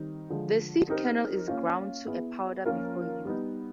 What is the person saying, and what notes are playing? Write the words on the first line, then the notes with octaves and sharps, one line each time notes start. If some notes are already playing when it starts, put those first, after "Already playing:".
The seed kernel is ground to a powder before use.
Already playing: D#3 G3 C4 D#4
D3 F3 G#3
C4 D#4 G4 A#4
A#3 C#4 F4
B3 E4 G#4
F3 A#3 C#4 F4 A#4
G3 B3 D#4